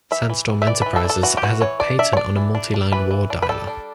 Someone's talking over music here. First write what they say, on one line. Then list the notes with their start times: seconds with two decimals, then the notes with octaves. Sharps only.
Sandstorm Enterprises has a patent on a multi-line war dialer.
0.11 E3 E5
0.30 E3
0.48 E3
0.62 E5
0.67 E3 D5
0.82 E3 B4
0.96 A4
1.04 D4
1.10 A4
1.23 E3 F#4
1.37 G4
1.43 E3 F#4
1.61 E3 C#5
1.80 D4 D5
1.99 D4 E5
2.13 C#5
2.17 D4 D5
2.36 E3
2.55 D4
2.74 D4
2.92 E3 B4
3.11 E3
3.30 D4
3.42 B4
3.49 G3 A4
3.67 D4